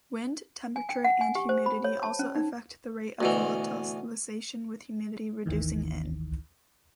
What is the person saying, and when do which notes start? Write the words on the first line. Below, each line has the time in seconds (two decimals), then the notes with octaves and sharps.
Wind, temperature, and humidity also affect the rate of volatilisation with humidity reducing in.
0.76 G#5
0.89 G5
1.04 F#5
1.21 G#5
1.35 G4
1.49 C5
1.66 B5
1.84 C#5
2.03 A5
2.19 C#4
2.35 D#4
3.21 D2 B2 E3
5.46 G#1 D#2 D#3 E3